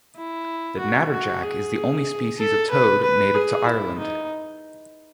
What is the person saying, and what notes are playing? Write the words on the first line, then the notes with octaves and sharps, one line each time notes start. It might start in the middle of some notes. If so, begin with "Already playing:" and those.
The natterjack is the only species of toad native to Ireland.
E4
F#4
F#4
G#4
A4
B4
B4
G#4
E4
D#4